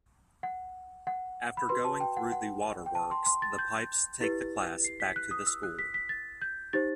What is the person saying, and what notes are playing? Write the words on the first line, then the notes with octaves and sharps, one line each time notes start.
After going through the waterworks, the pipes take the class back to the school.
F#5
F#5
B5
F#4 B4 C6
A5
G5
F#5
F#5
G5
A5
C6
C6
A6
G6
E4 G4 B4 A6
C7
B6
F#6
D#6
E6
F#6
B6
B6
A6
G6
D#4 G4 C5 A6